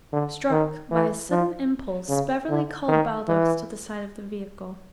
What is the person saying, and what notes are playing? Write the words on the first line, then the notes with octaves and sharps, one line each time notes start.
Struck by a sudden impulse, Beverly called Baldos to the side of the vehicle.
D3
D#3
E3
F3
C#3
D3
D#3
E3